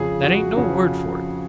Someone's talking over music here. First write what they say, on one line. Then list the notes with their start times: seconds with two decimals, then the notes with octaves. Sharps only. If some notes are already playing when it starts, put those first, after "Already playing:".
'That ain't no word for it.
Already playing: F2 C#3 F3 G#4
0.23 F#4
0.57 F2 C#3 F3 F#4